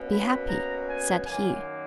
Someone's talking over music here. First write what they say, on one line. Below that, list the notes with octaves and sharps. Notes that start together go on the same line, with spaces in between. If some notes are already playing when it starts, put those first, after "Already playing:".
"Be happy!" said he.
Already playing: B2 A#3 C#4
B5
A#5
G#5
F#2 D#3 F#3 A#3 G#5